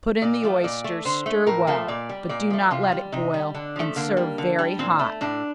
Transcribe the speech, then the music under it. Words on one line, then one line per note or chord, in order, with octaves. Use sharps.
Put in the oysters, stir well, but do not let it boil, and serve very hot.
A#2 D5
F3 A3
A#2 D5
A3
D3 C5
A3
A2 A#4
F3 A3
A#2 D5
G3
A#2 D5
F3 A3
C3 F4
G3
C3 D#4
G3
D3 D4
F3 A3
D3 A#3
G3
D3
G3
A#2 C4
A3
A2 D4